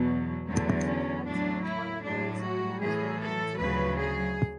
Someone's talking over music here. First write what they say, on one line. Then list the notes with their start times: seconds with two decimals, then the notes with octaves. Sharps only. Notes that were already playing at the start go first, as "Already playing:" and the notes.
Hetzel was born and raised in Connellsville, Pennsylvania.
Already playing: E2 B2 F#3
0.48 E2 D3 F#3 A3
0.87 C#4
1.25 A2 F#3 D4
1.65 E4
2.04 A2 F#3 D4
2.43 F#4
2.82 A2 E3 G#4
3.21 A4
3.59 D2 C#3 F#3 B4
3.99 G#4